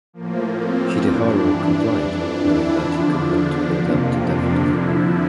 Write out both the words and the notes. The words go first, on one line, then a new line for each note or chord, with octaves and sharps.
Hideharu complied knowing that he could not hold out indefinitely.
A2 F3 A#3
C4
G2 E3 D4
D4
F2 E3
E4
E2 D3 F3 D4
F2 C3 F3 A#3
D4
F2 D3 F3 E4